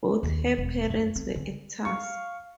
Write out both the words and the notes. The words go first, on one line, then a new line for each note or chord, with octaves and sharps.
Both her parents were actors.
D#2
E1
F#2
C4
D3
F5 C#6